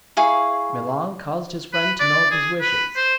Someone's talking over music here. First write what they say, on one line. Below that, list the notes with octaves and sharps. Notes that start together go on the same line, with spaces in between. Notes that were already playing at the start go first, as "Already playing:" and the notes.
Milon caused his friend to know of his wishes.
E4 G#4 F5 C#6
B4
D5
G#4
B4
C5